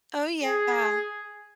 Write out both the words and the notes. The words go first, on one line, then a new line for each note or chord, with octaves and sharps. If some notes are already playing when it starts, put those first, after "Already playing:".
Oh, yeah.
G#4